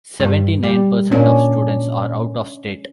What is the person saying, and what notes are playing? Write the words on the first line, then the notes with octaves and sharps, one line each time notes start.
Seventy-nine percent of students are out-of-state.
G2
G3
A#2 C#4 D4